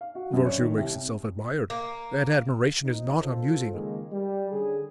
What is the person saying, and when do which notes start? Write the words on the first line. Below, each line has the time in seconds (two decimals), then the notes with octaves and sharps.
Virtue makes itself admired, and admiration is not amusing.
0.01 F5
0.15 F#4
0.33 F#2
0.46 C#5
0.59 D#3
0.77 C2
1.70 A#3
2.84 A#1 F2 D#4
3.20 D2 F4 A4 C5
3.71 C#2 D#3 G#3 A#3
4.11 G3
4.51 D3 C#4 G#4